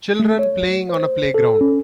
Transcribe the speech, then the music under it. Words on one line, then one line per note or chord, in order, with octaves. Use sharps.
Children playing on a playground.
A3
C#5
C5
A4
C#4